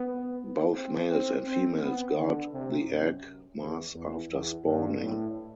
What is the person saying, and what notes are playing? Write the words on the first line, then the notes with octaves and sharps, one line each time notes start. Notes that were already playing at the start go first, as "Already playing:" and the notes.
Both males and females guard the egg mass after spawning.
Already playing: B3
C4
C4
C4
B3
D3
C3
F#2
E2
E2
E2
G2
A2